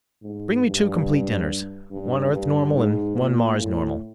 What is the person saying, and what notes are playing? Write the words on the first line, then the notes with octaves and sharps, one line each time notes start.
"Bring me two complete dinners--one Earth-normal and one Mars-normal."
G#2
G2
G2
G2
G#2
A#2
A2